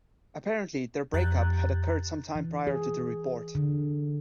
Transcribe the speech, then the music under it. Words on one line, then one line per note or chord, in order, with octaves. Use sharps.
Apparently, their breakup had occurred some time prior to the report.
F2 G4 A#5 F#6 G6 A6
E3
G#4
D3